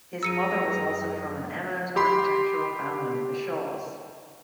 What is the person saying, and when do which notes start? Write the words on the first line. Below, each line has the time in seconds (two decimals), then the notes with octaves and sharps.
His mother was also from an eminent architectural family, the Shaws.
0.23 F#2 F#3 G#4 A#5 E6 C#7 D#7
1.96 G4 B5 C6